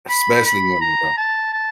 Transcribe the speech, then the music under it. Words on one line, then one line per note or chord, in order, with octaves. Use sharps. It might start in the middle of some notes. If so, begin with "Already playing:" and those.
Especially women, bro.
B5
B5
A#5
A5
A5